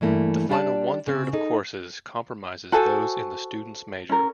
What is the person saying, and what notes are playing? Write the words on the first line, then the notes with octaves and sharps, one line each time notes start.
The final one-third of courses comprises those in the student's major.
G2 E3 A3 A#3 E4
G3 D4 G4 B4 D5 A5
C#3 C4
D#4 G#4 A4
F#4 A4 C5 G#5
C#4 A#4